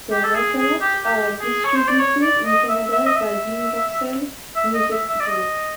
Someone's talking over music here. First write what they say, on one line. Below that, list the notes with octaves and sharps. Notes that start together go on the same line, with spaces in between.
Their records are distributed in Canada by Universal Music Group.
G4
A4
G#4
G#4
G4
G4
G#4
C#5
C5
D5
C#5
D5
D#5
E5
E5
D#5
E5
E5
D#5
E5
E5
D5
D#5